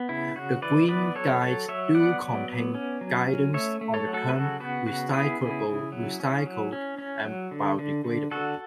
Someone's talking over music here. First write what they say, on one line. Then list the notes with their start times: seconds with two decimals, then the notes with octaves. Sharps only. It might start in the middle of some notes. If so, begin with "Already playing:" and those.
The Green Guides do contain guidance on the term recyclable, recycled and biodegradable.
Already playing: B3
0.09 C#3 E4
0.36 C#3 F#4
0.62 E3 B4 D5
0.88 B3 B4 D5
1.15 F#3 A4 C#5
1.41 F#3 A4 C#5
1.68 F#3 C#5 E5
1.95 B3 D5 F#5
2.21 F#3
2.49 B3
2.75 C#4
3.01 F#3
3.27 C#4
3.54 A3 C#5 E5
3.81 A3
3.94 A4 C#5
4.07 F#3
4.13 F#4 A4
4.29 B4
4.33 C#3 F#4 A4
4.60 B3 F#4
4.86 C#3 F#4
5.13 B3 E4 G#4
5.40 C#3
5.66 C#3
5.92 F#3
6.20 C#4
6.46 F#3
6.72 C#4
6.98 C#4
7.25 F#3
7.51 D3
7.79 D3
8.04 D3
8.31 D3 F#4 A4